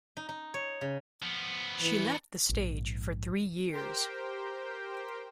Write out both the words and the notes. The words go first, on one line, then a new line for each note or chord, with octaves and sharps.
She left the stage for three years.
D#4
D#4
C#5
C#3
F3 B3
E3
A#1 G#2
G4 A#4 C5 G5